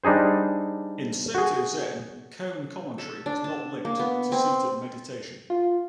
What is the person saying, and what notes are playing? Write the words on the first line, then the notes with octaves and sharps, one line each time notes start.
In Soto-Zen, koan commentary was not linked to seated meditation.
G3 D4 D#4 G#4 C5
F#4 G#4
A4
D4
A5
A#3
B3
C4
F4